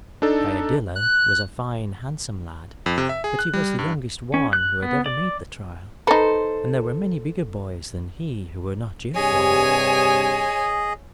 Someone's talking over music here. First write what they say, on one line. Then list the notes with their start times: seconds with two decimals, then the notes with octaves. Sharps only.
Iadilla was a fine handsome lad, but he was the youngest one who had ever made the trial, and there were many bigger boys than he who were not yet warriors.
0.22 D4 D#4 A4
0.96 F#6
2.86 F2
2.98 C3
3.09 E5
3.24 G#4
3.39 F#6
3.54 G3
3.79 G2
4.34 C#4
4.53 F#6
4.83 B3
5.06 D5
6.07 D#4 A4 B4 C5
9.16 G2 C3 G4 G#4 C#5 D#5 G#5